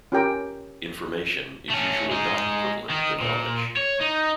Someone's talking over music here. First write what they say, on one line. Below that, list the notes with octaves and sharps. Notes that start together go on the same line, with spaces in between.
"Information" is usually not equivalent to "knowledge".
C#4 F4 G4 A#4 G5 A#5
A3 C#4
G#3 D#4
D#3 D#4
A#2
C#5
D#4